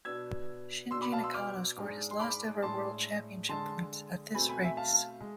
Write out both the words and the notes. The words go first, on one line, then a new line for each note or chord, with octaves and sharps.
Shinji Nakano scored his last ever world championship points at this race.
B2 B3 D4 E6 G#6
B2 B3 D4 C6 E6
B5 D6
F5 A5
C6 E6
D6 F6
G#2 G#3 D4
C6
B5 D6
A2 G#3 D4 A5 C6
D3 G#3 D4 A5 C6
B2 A3 C4 G#5 B5
G#5 B5
E5 G#5
F5 A5
G#3